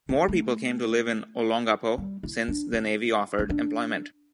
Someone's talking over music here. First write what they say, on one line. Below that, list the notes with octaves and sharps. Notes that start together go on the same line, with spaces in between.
More people came to live in Olongapo since the Navy offered employment.
C#4
A3
G3
E4
D4
C#4
C#4
D4